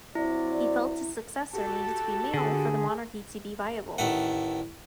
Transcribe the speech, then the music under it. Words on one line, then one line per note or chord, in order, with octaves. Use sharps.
He felt his successor needed to be male for the monarchy to be viable.
F#3 C4 E4 D5
F#4 G4 A4 A5
D3 G#4
A1 D#3 A3 F#5